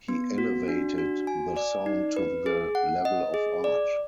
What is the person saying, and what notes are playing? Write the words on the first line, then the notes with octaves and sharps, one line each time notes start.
He elevated the song to the level of art.
B3
F#4
D4
F#4
G#5
D5
D#4
B4
G#4
F#5
D#5
G#4
D5